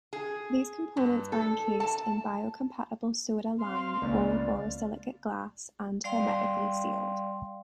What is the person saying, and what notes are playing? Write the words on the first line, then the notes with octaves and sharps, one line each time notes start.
These components are encased in biocompatible soda lime or borosilicate glass and hermetically sealed.
G#4
G2
A4
A5
C4 F5 C6
C#2 A#3 D5
G3 D5 F5 G5 C6